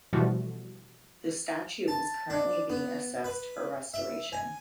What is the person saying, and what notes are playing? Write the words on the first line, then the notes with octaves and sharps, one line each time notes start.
The statue is currently being assessed for restoration.
B2 E3 F3 G3 A3 F#4
A5
D4
B3
B4
E5
G#5